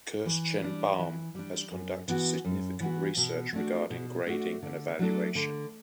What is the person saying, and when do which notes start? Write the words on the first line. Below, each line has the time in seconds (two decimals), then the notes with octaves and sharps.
Kirschenbaum has conducted significant research regarding grading and evaluation.
0.26 E3
0.62 G3 D4
0.99 E3
1.35 G3 D4
1.71 F#2
2.08 E3 B3 F#4
2.45 F#2
2.80 E3 B3 F#4
3.17 B2
3.53 A3 D4 F#4
3.90 B2
4.27 A3 D4 F#4
4.62 D3
4.99 F#3 A3 D4 A4
5.35 D3